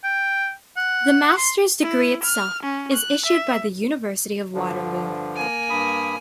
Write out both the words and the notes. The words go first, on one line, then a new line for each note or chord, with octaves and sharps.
The master's degree itself is issued by the University of Waterloo.
G5
F#5
C6
E4
F6
C#4
F#6
E5
G2 D3 F3
A#3 G#5
G2 B5 D#6